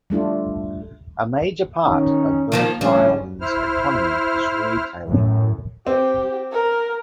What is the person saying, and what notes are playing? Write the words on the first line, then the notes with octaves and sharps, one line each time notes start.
A major part of Burntisland's economy is retailing.
G3 A3 D4 F4
D#3 C#4 D#4
D#3 F3 A#3
D2 F3 G3 C#4
E4 C5 F6
F#2 A2
C4 G4
A#4